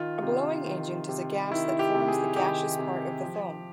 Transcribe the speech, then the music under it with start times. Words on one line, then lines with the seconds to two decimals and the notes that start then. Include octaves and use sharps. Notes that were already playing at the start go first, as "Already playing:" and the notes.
A blowing agent is a gas that forms the gaseous part of the foam.
Already playing: D#3 F4
0.22 C3
0.65 D#3
1.09 C3
1.51 D#3 E4
1.69 E4
1.79 G4
1.94 C3
2.08 G#4
2.36 D#3 G4
2.79 C3
3.22 F3